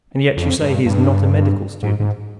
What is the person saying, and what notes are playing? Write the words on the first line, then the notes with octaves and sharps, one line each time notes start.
"And yet you say he is not a medical student?"
F2
G2
G2
G#2
G#2